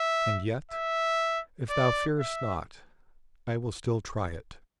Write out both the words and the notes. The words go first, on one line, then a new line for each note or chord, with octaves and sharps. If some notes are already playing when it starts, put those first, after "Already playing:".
And yet, if thou fear'st not, I will still try it.
Already playing: E5
E5
D5
E5